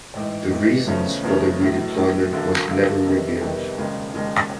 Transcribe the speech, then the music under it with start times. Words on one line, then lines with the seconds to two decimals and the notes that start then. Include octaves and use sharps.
The reasons for the redeployment was never revealed.
0.15 A1 G#2 E3
0.50 A1 G#2 E3
0.87 E2 C#3 F3 A3 C#4
1.23 E2 C#3 F3 A3 C#4
1.60 A#1 A2 F#3
1.95 A#1 A2 F#3
2.32 F#2 D3 F#3 A#3
2.68 F#2 D3 F#3 A#3
3.04 F2 C3 D#3 G3 B3
3.41 F2 C3 D#3 G3 B3
3.77 E1 D#2 C#3 F3 G#3
4.13 E1 D#2 C#3 F3 G#3